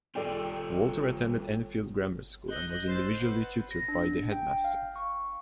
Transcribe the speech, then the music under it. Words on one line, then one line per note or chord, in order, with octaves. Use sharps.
Walter attended Enfield Grammar School and was individually tutored by the headmaster.
G3 F4 G4 A4 D5 G5
D#5 F#6 G6
C5 E6 A6
B4 F#5
A#6
D4
G5
F5
C#6